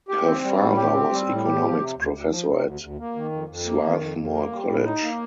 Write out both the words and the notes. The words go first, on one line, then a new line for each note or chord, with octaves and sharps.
Her father was economics professor at Swarthmore College.
G4
C4
G3
A2
G4
C4
G3
A2
G4
F3
C3
D2
D2
F3
C3
D2
D2
A#3
D#3
F2
F2
A#3
D#3
F2
F2
A#3
G3
A2
D#4
A#3